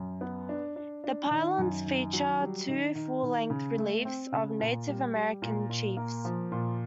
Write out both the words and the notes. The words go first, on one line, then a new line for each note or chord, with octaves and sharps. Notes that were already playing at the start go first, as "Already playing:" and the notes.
The pylons feature two full-length reliefs of Native American chiefs.
Already playing: F#2
B3
D4
D4
D4
D#3
F#2
D#3
F#3
G3
D#3
D#3
D#3
C#3
A3
C4
C#3
A#2
G3
G3
A#2
A#2
A#3
F3
A#2